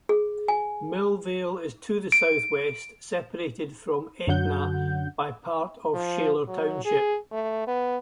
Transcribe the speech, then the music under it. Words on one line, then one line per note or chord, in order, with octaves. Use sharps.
Millvale is to the southwest, separated from Etna by part of Shaler Township.
G#4
G#5
D7
F#2 D3 F#3 F#5 G6
F3
F#3
G#4
A3
B3